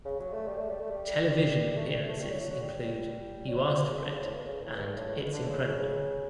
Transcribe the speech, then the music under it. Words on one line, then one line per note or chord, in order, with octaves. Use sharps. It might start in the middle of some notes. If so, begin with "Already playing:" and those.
Television appearances include "You Asked for It" and "It's Incredible".
C#3
F#3
A3
G3
A3
G3
A3
G3
A3
G3
A3
G3
F#3
F#3
F#3
G3
F#3
G3
G3
B2
C#3
D3
C#3
A2
B2
C#3
A2
G2
G2
A2
A2
B2
D3
C#3